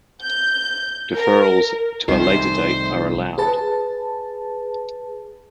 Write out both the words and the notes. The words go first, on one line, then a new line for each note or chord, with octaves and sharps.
Deferrals to a later date are allowed.
G6
A#4
C2 C3 D#3 G3 A3 C5
G#4 B4 A5